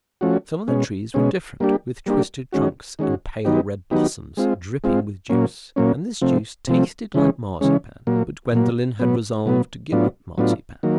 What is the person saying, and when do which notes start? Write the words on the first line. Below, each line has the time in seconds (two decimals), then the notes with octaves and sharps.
Some of the trees were different, with twisted trunks, and pale red blossoms dripping with juice; and this juice tasted like marzipan, but Gwendolen had resolved to give up marzipan.
0.21 F3 A3 C#4 F#4
0.68 B2 G#3 C#4
1.14 B2 G#3 C#4
1.60 G3 A#3 D4 G4
2.06 G3 A#3 D4 G4
2.52 D#3 G#3 C#4 F#4
2.99 D#3 G#3 C#4 F#4
3.45 D#3 F#3 B3 D#4 G4
3.91 D#3 F#3 B3 D#4 G4
4.37 G#3 C4 F4
4.84 G#3 C4 F4
5.30 A#2 F#3 A#3 C#4
5.76 A#2 F#3 A#3 C#4
6.21 C3 F3 A3 C4
6.67 C3 F3 A3 C4
7.14 C#3 E3 G#3 C#4
7.61 C#3 E3 G#3 C#4
8.07 A#2 F#3 A#3
8.52 A#2 F#3 A#3
8.99 B2 F#3 B3
9.46 B2 F#3 B3
9.92 A2 F#3 B3 D4 F4
10.38 A2 F#3 B3 D4 F4
10.83 D#3 F#3 A#3